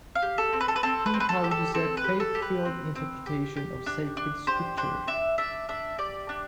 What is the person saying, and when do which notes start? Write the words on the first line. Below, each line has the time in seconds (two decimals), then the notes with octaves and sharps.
He encourages a "faith-filled interpretation of Sacred Scripture".
0.15 F5
0.22 G4
0.38 A4
0.53 C4
0.60 B4
0.68 A4
0.76 B4
0.83 C4 A4
1.06 B4
1.14 C4
1.20 B4
1.29 A4
1.44 G4
1.51 A4
1.74 C4 A4
1.97 B4
2.04 G4
2.20 A4
2.35 G4
2.42 B4
2.65 C4
2.95 C4
3.26 G4
3.56 G4
3.86 D4
4.17 D4
4.47 G4 C5
4.77 D4 C5
5.07 D4 E5
5.38 D4 E5
5.69 D4 E5
5.98 G4 D5
6.29 D4